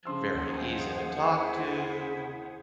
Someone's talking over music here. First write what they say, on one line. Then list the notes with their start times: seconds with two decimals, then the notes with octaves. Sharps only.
very easy to talk to,
0.05 C#3 F3 C6 E6
0.34 D#2 G#4 C5 F#5
1.37 E4